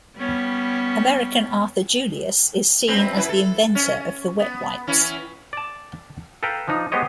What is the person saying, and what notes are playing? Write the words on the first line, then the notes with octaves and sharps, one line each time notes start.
American Arthur Julius is seen as the inventor of the wet wipes.
G3 B3 C#4
F#2 C4 B4
F#2 E4 B4
A4
C#4
B3
E3 C#4 E4
D5 A5
A4 B4 F5 G5 A#5
F3 D4 D#4
G#3 B3 G4 C5 C#5 D#5